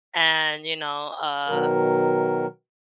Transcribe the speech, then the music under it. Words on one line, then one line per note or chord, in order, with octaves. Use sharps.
and, you know, uh,
B2 D#3 F#3 A#4